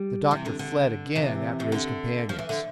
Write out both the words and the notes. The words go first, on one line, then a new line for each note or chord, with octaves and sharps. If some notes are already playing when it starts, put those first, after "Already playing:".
The doctor fled again after his companions.
Already playing: G3
C3 E3
D3
D3
C3 E3
C3
D3
F3
E3
D3